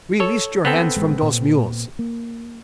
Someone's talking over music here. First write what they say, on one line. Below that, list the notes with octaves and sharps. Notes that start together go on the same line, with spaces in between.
Release your hands from dose mules.
A4 C#5
B3 C4 A4
A1 G#3
A#2
A#3